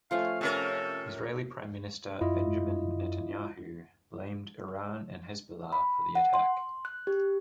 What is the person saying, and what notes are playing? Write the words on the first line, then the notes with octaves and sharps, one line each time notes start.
Israeli Prime Minister Benjamin Netanyahu blamed Iran and Hezbollah for the attack.
F3 A3 C#4 F5
C3 C#4 A4 A#4 D#5
F#2 E4 F4 D#5
B5
F#5
C6
F#6
G4